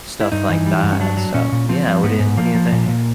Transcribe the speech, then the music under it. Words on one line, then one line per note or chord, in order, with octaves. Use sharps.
stuff like that, so Yeah, what do you what do you think?
E4
G2 D#4
E3
G3
G2
C#4
F#3 D4
F#3
A#2 C#4
A#2
F3 C4
F3
G#2 B3
G#2
F3 A#3
F3
A#2
A#2